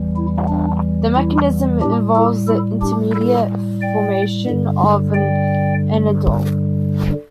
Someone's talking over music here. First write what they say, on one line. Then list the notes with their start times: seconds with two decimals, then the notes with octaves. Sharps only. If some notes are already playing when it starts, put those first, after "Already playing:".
The mechanism involves the intermediate formation of an "enediol".
Already playing: E2 E3 G3
0.16 E4
0.48 D4
1.15 E4
1.81 A2 G3 D4 G4
2.15 E4 A4
2.48 E4 A4
2.81 D4 G4
3.14 E4 A4
3.82 D5 G5
4.47 G2 D3 G3
5.14 D5 G5